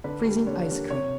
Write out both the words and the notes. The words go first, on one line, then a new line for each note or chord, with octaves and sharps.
Freezing Ice Cream.
D3 B4
G3 A#3 D4
D3 C#5
G3 A#3 D4
C3 C#5